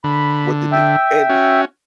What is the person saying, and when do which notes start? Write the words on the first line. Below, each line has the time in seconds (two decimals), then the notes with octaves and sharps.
what to do, and, b
0.04 D3 B5
0.72 E5 G5
1.29 C#4 F#4